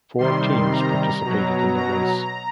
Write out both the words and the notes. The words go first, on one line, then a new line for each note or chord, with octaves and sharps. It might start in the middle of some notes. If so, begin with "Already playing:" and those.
Four teams participated in the race.
C3 D#3 G3 C6
A#5
B2 F#3
A#5